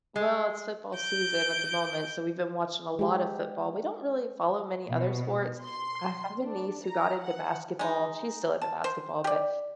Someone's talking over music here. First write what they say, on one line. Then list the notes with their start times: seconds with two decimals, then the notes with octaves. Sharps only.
Well, it's football season at the moment, so we've been watching a lot of football. We don't really follow many other sports. I have a niece who got into basketball. She's still into basketball, but
0.16 G#3
0.96 G6 D7
2.99 G#3 G4
4.89 B2
5.63 C6
6.41 D4
6.84 A#5
7.22 F#5
7.79 G#3 D#4
8.62 A5
8.84 C5
9.24 G4 D5